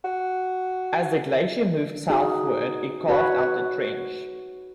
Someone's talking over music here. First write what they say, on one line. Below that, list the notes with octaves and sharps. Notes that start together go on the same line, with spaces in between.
As the glacier moved southward it carved out the trench.
F#4
D#4 F#4 G#4
F#4 B4 C#5